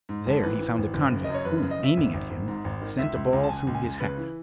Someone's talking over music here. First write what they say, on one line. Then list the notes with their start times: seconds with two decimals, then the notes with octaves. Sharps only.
There he found a convict, who aiming at him, sent a ball through his hat.
0.09 G#2
0.26 G#1 A4
0.43 E3 B4
0.60 E3
0.78 G#1
0.94 F#1
1.11 C#3
1.24 F#2 D#5
1.34 C#5
1.45 F#1 B4
1.58 B4
1.63 C#3
1.71 D#5
1.79 C#3 E5
1.97 G#1
2.14 G#1
2.30 G#1
2.48 G#2
2.64 G#1
2.82 D#3
2.98 C#2 E5
3.15 C#2
3.33 C#2
3.43 A5
3.49 C#2 G#5
3.67 C#2
3.75 G#5
3.83 C#2
4.00 C#3 B4
4.18 E3